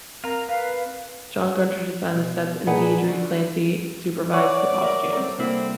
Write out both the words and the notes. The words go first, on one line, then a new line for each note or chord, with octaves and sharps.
John Gunter designed the sets and Deirdre Clancy supervised the costumes.
C4 A#4 F5 A#5
B4 F5
B2
A#2 D#4 G#4 B4 F#5 A5
D3 F#4
C#5 D5 F#5 C#6
A#4 E5
C4 A4 A#4
C2 D3 A#3 C4 E4